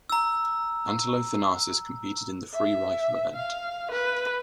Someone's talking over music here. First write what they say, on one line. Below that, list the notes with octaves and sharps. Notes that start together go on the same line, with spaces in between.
Antelothanasis competed in the free rifle event.
A#5 E6
E5
F5
B4